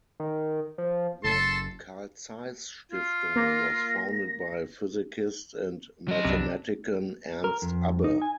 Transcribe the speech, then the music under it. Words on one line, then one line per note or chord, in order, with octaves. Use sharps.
The Carl-Zeiss-Stiftung was founded by physicist and mathematician Ernst Abbe.
D#3
F3
F#1 A4 A5 C6
F4
A#3 A#6
F#3 D#5
C2 F#2 C3 D4
A#4
F2
D#4
G#5